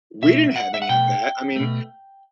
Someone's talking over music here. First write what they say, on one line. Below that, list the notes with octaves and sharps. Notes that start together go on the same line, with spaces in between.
We didn't have any of that. I mean,
B2 A3 E5
F#5
E5
F#5
B2 A3 G5
B2 A3